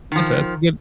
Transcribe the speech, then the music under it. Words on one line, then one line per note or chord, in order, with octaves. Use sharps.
That's a that's a good
D#3 F3